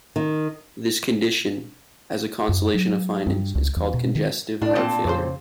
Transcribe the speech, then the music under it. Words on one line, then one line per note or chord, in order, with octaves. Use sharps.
This condition, as a constellation of findings, is called congestive heart failure.
D#3
F#2
F#3
G2
C#2
E2
B2
D#3
A2 D4
A#2 C4 A5
F2 C#3 C5